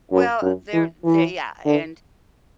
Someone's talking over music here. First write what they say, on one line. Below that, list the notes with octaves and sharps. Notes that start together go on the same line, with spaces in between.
Well, they're they yeah, and,
F#2
F#2
E3
E3
D3